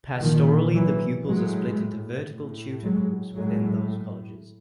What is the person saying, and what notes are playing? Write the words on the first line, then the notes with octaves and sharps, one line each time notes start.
Pastorally the pupils are split into vertical tutor groups within those colleges.
A#2 D#3 F3
E3 F#3
A2 F#3 G#3
A2
F#3 G#3
A2 F#3 G#3